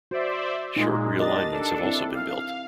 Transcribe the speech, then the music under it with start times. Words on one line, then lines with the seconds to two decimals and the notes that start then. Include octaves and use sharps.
Short realignments have also been built.
0.11 F#4 C5 D5 E5
0.76 A#2 G#3 D#4
1.20 D4 G4 A#4 D#5 A6
1.52 D4 A4
1.83 C4 E4
2.15 F5